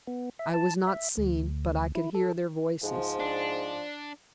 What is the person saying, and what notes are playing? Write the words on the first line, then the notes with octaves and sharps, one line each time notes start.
I was not seen, but I could hear their voices.
B3
E5
A5
E5
D2
E4
A4
G#2 F3
D4